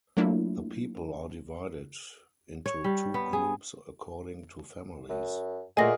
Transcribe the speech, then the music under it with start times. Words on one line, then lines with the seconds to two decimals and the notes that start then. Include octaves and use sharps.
The people are divided into two groups according to families.
0.17 F#3 A3 A#3 D4 E4 F4
2.66 C#5
2.84 G3
3.14 B3
3.33 G#4
5.10 F#2
5.77 A#2 A3 F#4 G#4 A#4 D#5 A#6